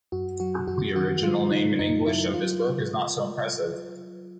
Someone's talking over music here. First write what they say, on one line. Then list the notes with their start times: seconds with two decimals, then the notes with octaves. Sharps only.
The original name in English of this book is not so impressive.
0.12 F#2 F#4
0.40 F#3 F#4
0.67 F#2 F#4
0.96 D#3 F#4
1.23 F#3 F4
1.51 C#3 D#4
1.79 F#2 D#4
2.06 F#3 E4
2.34 F#3 F4